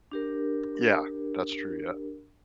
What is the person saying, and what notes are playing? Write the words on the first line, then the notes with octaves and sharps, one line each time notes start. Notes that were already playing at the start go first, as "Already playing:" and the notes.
Yeah. That's true. Yeah.
D4 G4 A#4